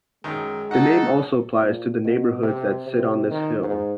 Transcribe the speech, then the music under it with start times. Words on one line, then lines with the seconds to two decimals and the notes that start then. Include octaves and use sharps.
The name also applies to the neighborhoods that sit on this hill.
0.24 F#2 D#3 G#3
0.71 D#4 F#4 A4 F#5
1.62 A#2
2.04 B2
2.42 C3
2.86 C3
3.30 D#3
3.63 G#2